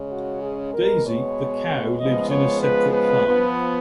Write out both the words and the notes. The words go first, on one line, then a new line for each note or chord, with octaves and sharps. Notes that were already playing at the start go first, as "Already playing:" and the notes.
Daisy, the cow lives in a separate farm.
Already playing: C#3 G#3 C#4
F#4
G#4
B2 G#3 B3 A#4
C#5
C#3 F3 G#3 B3 D#5
C#5
B4
B4
F3 B3